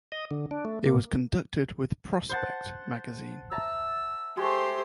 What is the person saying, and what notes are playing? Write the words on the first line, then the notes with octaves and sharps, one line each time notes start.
It was conducted with "Prospect" magazine.
D#5
D3
D4
A3
A#3
C5 F#5 A5
E5 A5 A#5 E6
G#3 A3 G4 C5 C6